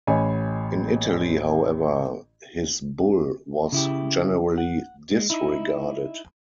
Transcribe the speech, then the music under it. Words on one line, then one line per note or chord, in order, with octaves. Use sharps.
In Italy, however, his bull was generally disregarded.
A1 C#5 D#5 G#5 B5
C#3 E4 G4
F#5
G#3
D#4 E4